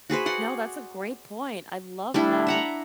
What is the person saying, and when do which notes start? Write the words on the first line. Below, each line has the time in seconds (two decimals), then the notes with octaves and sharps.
No, that's a great point, I love that.
0.10 F#4 G#4 B4 C5
0.26 D5 F#5 C6
2.14 G3 A3 D4 E4
2.47 E5 F#5 A#5